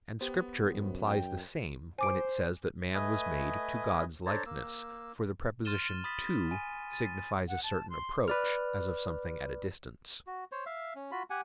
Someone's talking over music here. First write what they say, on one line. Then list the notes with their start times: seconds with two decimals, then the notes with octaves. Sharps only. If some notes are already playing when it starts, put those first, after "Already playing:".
And Scripture implies the same when it says that man was made "to" God's likeness; for the preposition "to" signifies a certain approach, as of something at a distance.
0.21 B3 G4 C5
0.71 F#2
1.07 G5
1.99 C5 G#5 D6 D7
2.95 A3 B4 D#5 G#5 D#6
4.26 D4 A4 C5 C#5 A5 A#5
4.46 A#3 E6
5.65 C6 F6 A6 D#7 E7 G7
6.04 B5 D#6 A6 B6
6.51 G#5 D#7
6.92 A6 D#7
7.48 F#5
7.63 A5
7.90 C6
8.28 B4 D5 F6
10.27 F#4
10.52 C5 C#5
10.66 E5 F5
10.95 C#4
11.11 F4 F#4 B5
11.30 G4 F#5 G#5